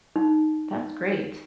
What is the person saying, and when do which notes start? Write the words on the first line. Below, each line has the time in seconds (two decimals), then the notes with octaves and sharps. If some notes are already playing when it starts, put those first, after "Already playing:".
That's great.
0.16 D#4